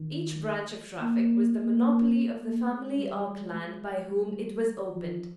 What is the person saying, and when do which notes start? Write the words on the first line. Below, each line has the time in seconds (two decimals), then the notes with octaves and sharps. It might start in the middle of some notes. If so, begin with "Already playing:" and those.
Each branch of traffic was the monopoly of the family or clan by whom it was opened.
Already playing: D#3
1.01 A#3
1.57 A#3
2.41 A#3
2.70 G#3
2.98 G3
3.26 G#3
3.54 G#3
4.11 G3
4.95 F3